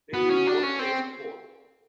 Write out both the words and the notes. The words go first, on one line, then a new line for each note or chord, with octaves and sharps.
Then we both raised both.
B3 F#4
C#4
D4
C#4
C4